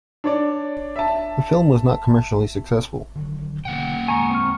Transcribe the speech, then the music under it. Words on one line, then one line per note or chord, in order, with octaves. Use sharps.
The film was not commercially successful.
D4 C#5 D5
E5 A5
D3 D#3 F#3
B2 D3 E3 A#3 F#5 G5
D1 E2 G#3 G#5 A#5 C#6
C4 F6